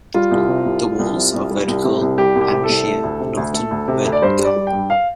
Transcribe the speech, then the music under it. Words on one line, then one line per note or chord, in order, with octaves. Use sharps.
The walls are vertical and sheer, and often red in color.
G3 F4
C2
C3
C2
G3
C2
C3
C2
G3
C2
C3
C2
G3 G4
C2
G4
C3
A4
C2
A3
D2
C3
D2
A3 A4
D2
C3
D2
D5
G2 C5
G3
D5
G3
G5
G2
F5